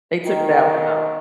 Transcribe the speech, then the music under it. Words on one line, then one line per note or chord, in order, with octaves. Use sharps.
They took that one off.
D#3